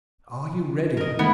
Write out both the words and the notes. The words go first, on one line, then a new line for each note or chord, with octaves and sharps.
Are you ready?
A#4 D#5
D#3 A3 B3 E4 D#5